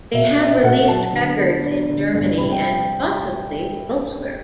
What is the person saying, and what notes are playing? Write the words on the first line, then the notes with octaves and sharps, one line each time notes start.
They have released records in Germany and possibly elsewhere.
B2 E5
C4 E5
B2 F#5
F#3 A5
D3
B3
D4
D3
G2
C3 B5
G5